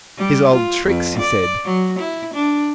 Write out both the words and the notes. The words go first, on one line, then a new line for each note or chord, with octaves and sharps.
"His old tricks," he said.
G3
F4
F2
D5
F#3
E4
D4